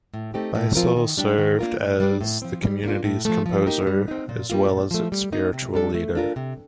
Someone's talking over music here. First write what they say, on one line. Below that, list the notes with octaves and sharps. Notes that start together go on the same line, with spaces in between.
Beissel served as the community's composer as well as its spiritual leader.
A2
A3 C4 D#4 G4
A2
F3 C4 F4 A#4
D#3
G3 D4 G4
D#3
A#3 D4 F4 A#4
A2
G3 D4
A2
F3 C4
G3
A#3 D4 F4
A2
F3 A3
F3
A#3 D#4 G4 A#4
G3
C4 D#4
A#2
G3 A#3 F4
A#2
F3 A3
G3
A#3 D#4
C3
G3 D4 A4
A3
D4 F4 A#4
C3